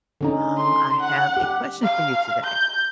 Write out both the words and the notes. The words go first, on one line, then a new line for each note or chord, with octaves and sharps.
Um, I have a question for you today.
D3 C#4 D#4
C6
F#5
G4
F5
G6